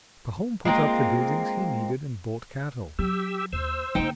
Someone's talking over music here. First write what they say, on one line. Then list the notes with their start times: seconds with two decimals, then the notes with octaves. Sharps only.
Pahom put up the buildings he needed, and bought cattle.
0.65 G#3 A#3 C4 F4
2.99 F#3 G4 E6
3.53 D#2 C5 E6
3.95 D3 A#3 D#4 G5